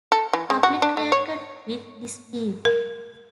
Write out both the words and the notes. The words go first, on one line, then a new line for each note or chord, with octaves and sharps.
The public reacted with disbelief.
A4
E3
G#3
F#4
D4
A3
C#5
A#4